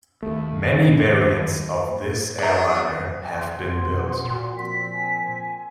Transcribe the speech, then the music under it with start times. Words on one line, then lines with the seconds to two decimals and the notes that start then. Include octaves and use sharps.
Many variants of this airliner have been built.
0.23 D#2 A3
2.39 D4 G#4 A#5
3.37 A1 A#2 F3 F#5 C6
3.81 B2 C#4
4.25 A#2 F#4
4.57 F3 A#3 C4 B6
4.91 G#5